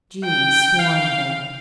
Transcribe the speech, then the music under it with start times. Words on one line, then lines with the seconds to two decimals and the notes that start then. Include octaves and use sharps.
Genii swarm there.
0.25 G5
0.79 F5